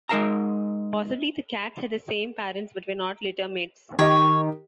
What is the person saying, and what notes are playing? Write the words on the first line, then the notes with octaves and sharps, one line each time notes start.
Possibly the cats had the same parents but were not litter-mates.
G#3 D#4 A#4 F5 A5 A#5
D#3 G4 C#5 D#5